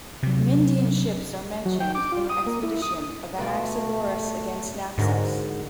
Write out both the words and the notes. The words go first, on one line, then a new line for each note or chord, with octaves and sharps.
Myndian ships are mentioned in the expedition of Anaxagoras against Naxos.
C3 F#3
F#3
G5
D6
F4
D#6
A#3
E4
D#6
B2 A3 F4 D5
G#2 D3 F#3 A#4